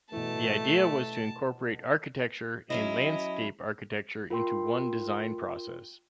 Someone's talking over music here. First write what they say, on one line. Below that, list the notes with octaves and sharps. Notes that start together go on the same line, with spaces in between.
The idea was to incorporate architecture and landscape architecture into one design process.
B2 E3 A3 A5
F#3 C#4 E4 D#5
F4 A#4 G5 C6